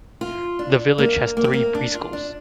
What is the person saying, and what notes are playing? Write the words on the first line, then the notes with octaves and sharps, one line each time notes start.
The village has three Preschools.
F4
D4
A#3
A#3
C4
A#3
D4
F4
D4